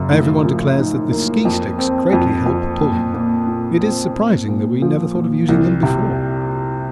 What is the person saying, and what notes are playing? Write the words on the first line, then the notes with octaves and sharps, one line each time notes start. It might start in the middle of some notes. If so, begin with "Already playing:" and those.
Everyone declares that the ski sticks greatly help pulling; it is surprising that we never thought of using them before.
Already playing: F#2 C#3
A2
F3
D#4
A#3
F2
C4
F2
F2
A#2
A#2
A#2
C4
A#2
A#2
F3
A#2
C2
C3